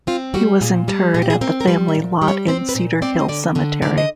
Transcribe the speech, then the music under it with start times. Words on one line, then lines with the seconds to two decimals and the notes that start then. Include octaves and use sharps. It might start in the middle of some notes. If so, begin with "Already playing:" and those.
He was interred at the family lot in Cedar Hill Cemetery.
0.07 C4 F4
0.34 G3 F#4
0.61 A#2 G#4
0.88 G3
1.14 A#2 G#4
1.22 G4
1.30 G#4
1.41 C4 A#4
1.61 A#4
1.67 G3 B4
1.88 E5
1.95 A#2
2.22 G3
2.28 C#5
2.48 C4 C5
2.69 B4
2.75 A#2 C5
3.02 C4 D5
3.20 D#5
3.28 D3 D5
3.55 D3 C#5
3.82 D3 D5
3.98 D#5